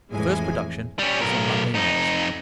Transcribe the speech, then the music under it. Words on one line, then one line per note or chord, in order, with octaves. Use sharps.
The first production is on Monday next.
F2 A2 E3 G#3 G#5
G3 C#4
B1 A#4
F2 D#4